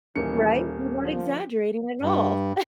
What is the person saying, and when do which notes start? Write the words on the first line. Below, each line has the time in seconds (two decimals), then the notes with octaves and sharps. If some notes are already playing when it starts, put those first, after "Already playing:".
Right? You weren't exaggerating at all.
0.16 D#1 D#3 E3 A#3 C#4 C#7
1.02 D3 F3
2.02 G2